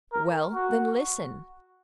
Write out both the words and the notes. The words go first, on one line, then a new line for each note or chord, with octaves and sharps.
"Well, then, listen."
A#4
F#4